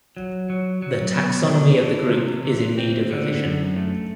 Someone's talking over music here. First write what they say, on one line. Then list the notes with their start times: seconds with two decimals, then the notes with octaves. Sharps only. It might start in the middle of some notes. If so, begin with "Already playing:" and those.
The taxonomy of the group is in need of revision.
0.17 F#3
0.50 F#3
0.82 F#3
1.15 B2
1.48 D4
1.79 E3
2.13 C3
2.45 E3
2.78 C4
3.11 D3
3.43 F#2
3.76 A3